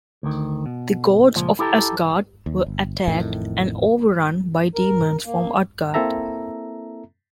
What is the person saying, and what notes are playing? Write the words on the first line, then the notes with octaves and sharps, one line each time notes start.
The gods of Asgard were attacked and overrun by demons from Utgard.
D2 D#3
B2
C#2 A#2 F3
E4 G4 A4 A#5
D#2
G1
A1 F2 A2 D#3
A#4
A#3
A#3 C4 E4 A4 E5 A#5